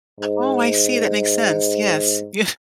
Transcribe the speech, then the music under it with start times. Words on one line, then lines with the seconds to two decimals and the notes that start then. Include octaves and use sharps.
Oh, I see, that makes sense. Yes. Yeah.
0.20 G#2